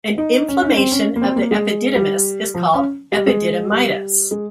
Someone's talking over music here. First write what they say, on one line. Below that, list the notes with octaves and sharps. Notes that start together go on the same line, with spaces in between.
An inflammation of the epididymis is called epididymitis.
D#4
C#4
C#4
C4
C#4
A#3
C4
A#3
G#3
G3
F3
C#4
G3
G#3
G3
G#3